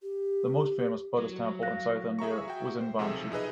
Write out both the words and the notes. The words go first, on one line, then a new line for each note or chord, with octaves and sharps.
The most famous Buddhist temple in South India was in Vanchi.
G4
F#3
F5 F#6 A#6
G#4 E5 A#5 C#6
F#4 G5
C5
B1 C3 F3 G#4 A4 E5
D#4 G#4 B4 D#5